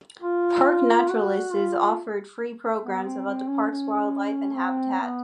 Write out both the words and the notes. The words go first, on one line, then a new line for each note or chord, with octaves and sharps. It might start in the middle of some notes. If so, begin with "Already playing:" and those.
Park naturalists offered free programs about the park's wildlife and habitat.
F4
F#4
F4
B3
C4
C4
C#4
C#4
C4
B3